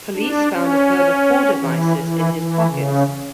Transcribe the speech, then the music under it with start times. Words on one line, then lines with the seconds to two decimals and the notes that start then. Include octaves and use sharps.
Police found a further four devices in his pockets.
0.16 D4
0.52 C#4
1.60 E3
1.97 E3
2.34 E3
2.70 C#3